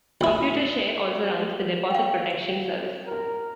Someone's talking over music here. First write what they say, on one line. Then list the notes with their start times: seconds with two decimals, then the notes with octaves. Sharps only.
Computershare also runs The Deposit Protection Service.
0.21 A#1 E4
1.90 F5 G5
3.06 A#4